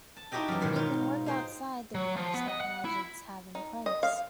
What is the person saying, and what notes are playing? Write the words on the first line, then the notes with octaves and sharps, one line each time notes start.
He can work outside the rules that magids have in place.
A5
D#4 E4 F#4 G4 D#5 G5
F#2 E3
G#2 B2 D#3 E3
D#4 F4 C#5
D#4 G#4 C5 G5
F#3
F3
B3
D#5
F#5
E4
D#4
D#5
F5